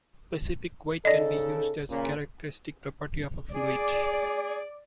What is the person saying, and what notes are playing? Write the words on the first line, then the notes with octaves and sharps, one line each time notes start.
Specific weight can be used as a characteristic property of a fluid.
C#3 D#4 A4 D5 D#5
A#2 C#3
G#4 D5